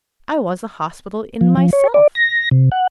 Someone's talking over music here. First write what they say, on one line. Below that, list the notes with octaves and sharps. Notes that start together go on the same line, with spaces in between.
I was a hospital in myself.
F3
F3
C#5
D5
A#6
C3
F#5